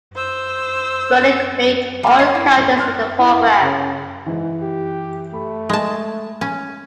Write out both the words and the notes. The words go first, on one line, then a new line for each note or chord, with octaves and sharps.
Burdick played all characters in the program.
C5 E6
G3 A#3
D#5 C6 C#6 C7
E4
D#1
C6 F6 F#6
E4
C#3
G#2 E3
G4
A3 B5
G#3 A5
C#4